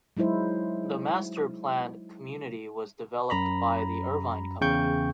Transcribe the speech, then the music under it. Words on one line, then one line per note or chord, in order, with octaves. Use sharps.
The master-planned community was developed by the Irvine Company.
F#3 G#3 D#4 E4 C5
F#2 A#5 B5
E2 C#3 G5 C#6 G6